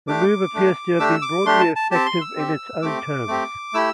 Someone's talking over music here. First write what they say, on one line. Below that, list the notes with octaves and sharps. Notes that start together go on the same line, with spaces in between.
The move appears to have been broadly effective in its own terms.
A3 D4 G4 D6
A3 D4 G4
A3 D4 G4 E6
D6
A3 D4 G4 C6
A5
A5
C4 G4 A5
C6
E6
C4 G4
A3 C4 G4 D6
A3 C4 G4
A3 E4 G4 E6